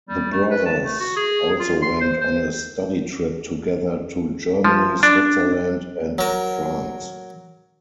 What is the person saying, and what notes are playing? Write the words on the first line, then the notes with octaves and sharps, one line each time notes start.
The brothers also went on a study trip together to Germany, Switzerland and France.
G3
A3
B4
A5
A3
F#4
G#4
F4
C6
C5
C5
F3
D4
F#3 A#4